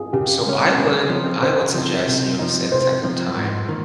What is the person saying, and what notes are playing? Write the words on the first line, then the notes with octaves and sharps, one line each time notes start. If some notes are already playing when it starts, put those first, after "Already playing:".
so I would I would suggest, you know, setting aside some time
Already playing: F4 G#4
C#3 G4
G#3 C#4
C#3
F3 C4 D#4
C#3 C5
F3 C4 D#4
C3
F3 C4 D#4
C3 C5
F3 C4 D#4
G#2
D#3 A#3